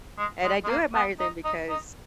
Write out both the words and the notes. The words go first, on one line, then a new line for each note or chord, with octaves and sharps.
and I do admire them because
G#3
G#3
G#3
A#3
B3
D#4
D#4
D#4